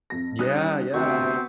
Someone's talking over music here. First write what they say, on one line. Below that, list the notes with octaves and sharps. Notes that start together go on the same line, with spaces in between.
Yeah, yeah.
F2 A#6
G3 C#4 D#4 D#6 F#6
D2 C3 B3 C4 F#4 C#6